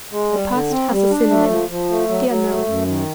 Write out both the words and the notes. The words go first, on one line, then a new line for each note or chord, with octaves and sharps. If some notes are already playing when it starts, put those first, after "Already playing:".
The past has a synonym, the unknown.
G#3
G3
D3
C4
G3
D4
A3
F3
F3
A3
F#3
F#3
A3
F#2
D#3